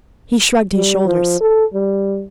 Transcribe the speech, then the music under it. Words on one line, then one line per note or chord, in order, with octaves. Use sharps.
He shrugged his shoulders.
G3
F3
A4
G3